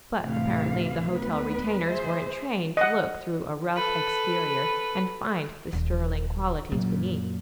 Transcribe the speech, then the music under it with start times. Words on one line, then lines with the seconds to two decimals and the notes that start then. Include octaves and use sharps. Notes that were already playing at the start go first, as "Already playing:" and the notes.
But apparently the hotel retainers weren't trained to look through a rough exterior and find the sterling qualities beneath.
0.20 D2 A2 C3 E3 F5
1.13 D2 B3 B4
1.84 G#4 C5 E5
2.77 D#5 F#5
3.75 A4 B4
5.73 D#1 D3
6.72 F#2 A#2